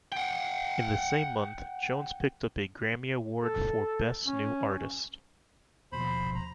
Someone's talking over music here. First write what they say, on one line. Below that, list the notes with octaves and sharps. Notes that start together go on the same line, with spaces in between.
In the same month, Jones picked up a Grammy Award for Best New Artist.
F#5 G5
A4
C#4
D#2 B2 F3 C5 B5
A#5